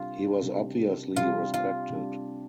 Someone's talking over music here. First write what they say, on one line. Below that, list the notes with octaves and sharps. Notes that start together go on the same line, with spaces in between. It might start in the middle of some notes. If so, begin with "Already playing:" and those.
He was obviously respected.
Already playing: C3 G3 D4 F4
C3 G3 D4
C3 G3 D4 F4
F4
C3 G3 D4